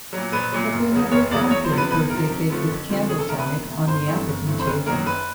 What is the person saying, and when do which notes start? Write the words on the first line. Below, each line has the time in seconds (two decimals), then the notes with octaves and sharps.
But there never had been a birthday cake with candles on it on the Appleton table.
0.13 A#2 F#3
0.32 A#1 B4
0.52 A#2 F#3
0.72 F#1
0.92 E2 C#3 F#3
1.11 F#1 C#5
1.31 E2 C#3 F#3 D5
1.51 E2 C#5
1.64 C5
1.71 C3 F3
1.77 B4
1.91 E2 B4
2.10 C3 F3 A#4
2.30 F2
2.50 D3 F3 A3 C4
2.69 F2
2.89 D3 F3 A3 C4
3.08 E1 G#4
3.19 A4
3.28 D2 A#4
3.33 C3
3.39 B4
3.48 E1
3.67 D2 C3
3.87 G1 C5
4.07 G2 E3 A3 C4
4.27 G1
4.47 G2 E3 A3 C4
4.60 C5
4.66 F#1 B4
4.86 F#2 D#3 F#3 A#3 A#4
5.06 F#1 B4